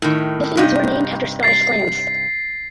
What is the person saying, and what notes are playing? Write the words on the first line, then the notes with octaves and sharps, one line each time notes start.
The fields were named after Scottish clans.
A2 D#3
G2 C3 D#4
A6 C7